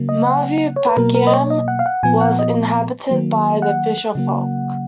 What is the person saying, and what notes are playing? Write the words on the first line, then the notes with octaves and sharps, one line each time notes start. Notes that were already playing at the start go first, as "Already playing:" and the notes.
Maruvurpakkam was inhabited by the fisher folk.
Already playing: C#3 F#3 A#3
D#5
F#5
C#5
B4
B2 F#3 A#3 A#4
A#4
D#5
C#5
D#5
F#5
F5
F#5
A#2 F3 B3 G#5
F#5
D#5
D#3 F#3 A#3
F#5
C#3 F#3 A#3